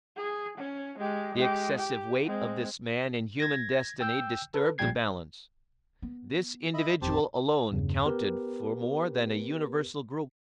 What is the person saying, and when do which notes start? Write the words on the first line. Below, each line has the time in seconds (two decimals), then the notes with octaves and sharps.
The excessive weight of this man in human destiny disturbed the balance. This individual alone counted for more than a universal group.
0.17 G#4
0.57 C#4
0.98 G#3 G4
1.34 G#3 G4
1.77 G4
2.23 G#3 C4
3.40 G#6 A#6
4.00 G5 E6 G6
4.54 A4 B4
4.78 A#1 A#2 G3 G5 G#6 C7
6.02 B3
6.74 D#5 E5 B5
7.02 A1 F2 G4 C5 A5
7.72 E2 G2 C#3
8.06 B3 G4 A#4 B4